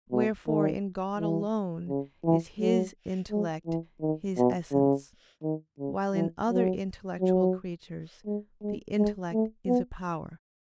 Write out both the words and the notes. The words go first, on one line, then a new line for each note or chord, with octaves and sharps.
Wherefore in God alone is His intellect His essence: while in other intellectual creatures, the intellect is a power.
B2
D#3
E3
C#3
E3
F#3
G#3
E3
D#3
B2
C#3
D#3
C#3
E3
F#3
F#3
G#3
G#3
G#3
A3
B3